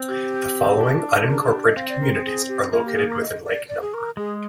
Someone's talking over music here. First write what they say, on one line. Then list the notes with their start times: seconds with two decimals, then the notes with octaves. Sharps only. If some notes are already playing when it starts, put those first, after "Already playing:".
The following unincorporated communities are located within Lake No.
Already playing: C4
0.08 G4
0.81 D4
1.29 A#4
1.41 G#4
1.53 G4
1.65 D#5
1.76 C4 F5
1.89 D5
2.01 A#4
2.13 G#4
2.25 G#4
2.48 G4
2.73 A#3 F4
2.85 G4
2.97 G#4
3.09 A#4
3.21 D#5
3.45 D5
3.69 D5
3.81 G#4
3.94 A#4
4.17 G#3 G#4